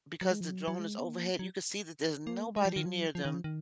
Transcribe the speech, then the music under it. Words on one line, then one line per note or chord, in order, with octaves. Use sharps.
because the drone is overhead, you could see that there's nobody near them
F#3
G#3
F3
F#3
F#3
G#3
B3
A#3
F#3
A#3
G#3
F3
D#3
F#3
F3
D#3
F3
D#3